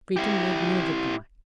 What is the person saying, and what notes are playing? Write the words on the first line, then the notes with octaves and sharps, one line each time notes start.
Breton made no reply.
E4 G4